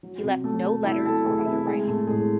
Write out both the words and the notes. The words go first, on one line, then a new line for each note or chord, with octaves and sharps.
He left no letters or other writings.
F#3
C3
A3 A4
C3
F#3 E4 E5
C3 A4 A5
A3 G#4 G#5
C3 E4 E5
G#3 G#4 G#5
A2 A3 A4
A2 G#3 G#4